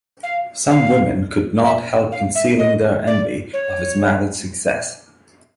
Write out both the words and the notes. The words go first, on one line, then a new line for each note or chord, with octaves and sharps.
Some women could not help concealing their envy of his marriage success.
F5
F5
E5
F5
E5
D#5
D5
C#5